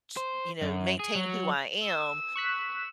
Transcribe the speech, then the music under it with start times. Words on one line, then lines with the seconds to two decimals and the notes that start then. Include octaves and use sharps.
t you know, maintain who I am
0.17 C5
0.61 F#2
0.99 G#4
1.15 F#3
1.84 E6
2.36 C#6 F#6 B6